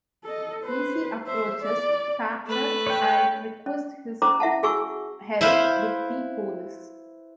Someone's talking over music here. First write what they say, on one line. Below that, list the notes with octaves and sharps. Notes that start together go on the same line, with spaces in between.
Easy approaches Carter and requests his help with the police.
A4 D#5
B4 C5
C5 E5
D5
A3 B4
C#5 G5
C#4
C#4 C5 A#5 D6
E4 E5 F#5 A5
F#4 G#4 G#5 C#6 E6
E4 B4 C5 F5